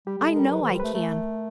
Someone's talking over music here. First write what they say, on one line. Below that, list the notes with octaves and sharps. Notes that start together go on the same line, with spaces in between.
I know I can.
G3 G4
G3
A4
G#3
G3 A#4
F#3 B4
E3
C5
G3
A3 B4
A3 A#4